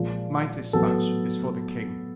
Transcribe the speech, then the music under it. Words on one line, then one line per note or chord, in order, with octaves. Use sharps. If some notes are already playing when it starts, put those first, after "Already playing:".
"My dispatch is for the king."
Already playing: A#2 F3 G#3
A2 F#3 B3 A4